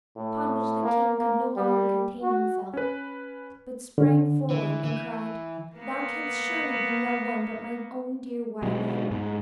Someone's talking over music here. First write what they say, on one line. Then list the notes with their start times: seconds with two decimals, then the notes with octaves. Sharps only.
Upon which the king could no longer contain himself, but sprang forward and cried, "Thou canst surely be no one but my own dear wife!"
0.16 A2
0.84 A#3
1.18 A#3
1.56 G3
2.22 F#4
2.74 C#4 B4
3.98 D3
4.50 E3
4.84 E3
5.77 A#3 B3
8.62 B2 F#3 G#3
9.11 G#2